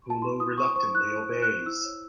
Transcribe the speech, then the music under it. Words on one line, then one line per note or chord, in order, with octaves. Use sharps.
Pullo reluctantly obeys.
A5
E4 C6
E4 D#6
E4 C#6
C5 C#6
E4 F#6
E4
C5
F#6
C5
E4 E6
C#5